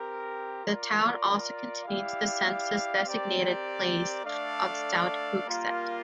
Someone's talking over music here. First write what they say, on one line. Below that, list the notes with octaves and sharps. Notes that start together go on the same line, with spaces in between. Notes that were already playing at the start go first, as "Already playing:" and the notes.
The town also contains the census-designated place of South Hooksett.
Already playing: C4 G4 A#4
F4 A#4 D5
E4 G4 D5 F5
C4 G4 A#4 D5
A3 D4 A4 D5 F5
G3 A#3 F4 A#4